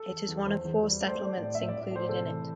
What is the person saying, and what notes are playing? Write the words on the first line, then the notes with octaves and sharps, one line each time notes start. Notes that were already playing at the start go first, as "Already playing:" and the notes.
It is one of four settlements included in it.
Already playing: A4
E2
E2
E2 C5
E2
G3
A3 D5
C5
A3 D5
A2
D5
A2 E5
D5
A2
D5
A3 C5
C3 A4
E3